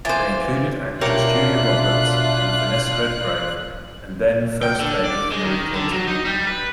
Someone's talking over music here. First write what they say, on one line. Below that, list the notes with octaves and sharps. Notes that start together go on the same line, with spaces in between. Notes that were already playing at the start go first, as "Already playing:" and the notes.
They included actresses Julia Roberts and Vanessa Redgrave and then-First Lady Hillary Clinton.
E3 F4 C5 D5
B2 D4 F4 G4 A#4 C#5 E5 F#6
G5
D3
D5
G#3
D#3
D3
F#3
D#4
G3
B4